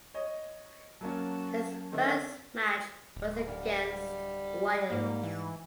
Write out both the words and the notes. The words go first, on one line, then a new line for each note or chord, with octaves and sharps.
His first match was against Wales.
C#5 D#5
F#3 A#3 C#4 F#4 A5
D3 D#3 C4 E5 C#6
D1
D2 G3 F5
G#2 A#3
E3